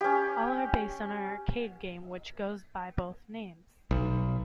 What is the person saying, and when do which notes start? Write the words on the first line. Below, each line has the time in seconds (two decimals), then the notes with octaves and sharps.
All are based on an arcade game which goes by both names.
0.01 C#4 G4
3.91 B1